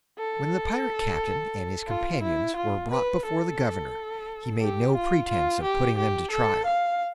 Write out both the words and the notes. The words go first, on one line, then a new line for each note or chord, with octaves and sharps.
When the pirate captain and his companions were brought before the Governor, he made no pretence of putting them to trial.
A4
F4
E4
F4
B4
A4
G4
F4
F4
G4
G4
A4
F5